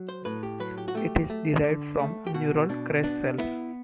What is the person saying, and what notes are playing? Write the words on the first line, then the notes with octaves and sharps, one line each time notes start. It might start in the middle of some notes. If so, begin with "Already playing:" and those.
It is derived from neural crest cells.
Already playing: F#3
C5
A2 B4
G4
F#3 B4
G4
F#4
A3 G4
A3
D3
A3
G4
B2 F#4
B2 D4
B3 D4
B3 E4